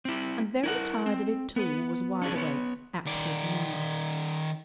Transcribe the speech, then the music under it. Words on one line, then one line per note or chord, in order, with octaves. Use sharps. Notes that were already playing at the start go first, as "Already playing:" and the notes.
And very tired of it, too, was wide-awake, active Nan.
C4 E4
E4 A#4 F#5
C4
B3 B4
C#4 D4 G#4
B3 C#5
D#3 D5